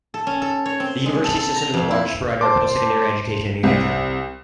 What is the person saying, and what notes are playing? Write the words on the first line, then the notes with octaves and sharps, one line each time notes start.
The University System is the largest provider of post-secondary education in New Hampshire.
A4
C#4
A4
C#5
C4
G#3
A4
A4
A#5
F2
E4
C5 A5 C6 D6
C2